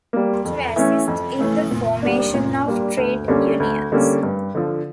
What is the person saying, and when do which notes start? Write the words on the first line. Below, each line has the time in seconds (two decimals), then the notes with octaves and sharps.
To assist in the formation of trade unions.
0.13 G3 A#3
0.45 F2
0.76 E3 A3 C#4
1.08 F2
1.39 E3 A3 C#4
1.71 A#2
2.02 G3 A#3 D4
2.34 A#2
2.66 G3 A#3 D4
2.97 D2
3.28 D3 G3 A#3 C#4
3.60 D2
3.92 D3 G3 A#3 C#4
4.23 G2
4.55 D3 F3